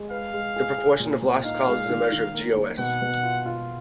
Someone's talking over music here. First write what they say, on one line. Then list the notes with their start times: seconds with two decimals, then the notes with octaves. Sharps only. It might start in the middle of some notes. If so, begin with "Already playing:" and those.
The proportion of lost calls is the measure of GoS.
Already playing: G#3
0.11 B4 F5
0.34 G#3
0.56 G#4
0.78 G#4
1.00 A#2
1.22 A#2
1.44 D#4 F5
1.68 G#3
1.89 D#3
2.12 D#3
2.34 A#3
2.57 D#3
2.78 B2 F#5
3.02 B2
3.23 F4
3.46 F4